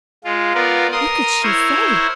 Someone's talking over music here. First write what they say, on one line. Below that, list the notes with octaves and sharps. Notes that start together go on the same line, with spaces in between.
What could she say?
G#3 F4
B3 F4 A#4 D5
A#4 C6 D#6
E4 A#4 C5 C#5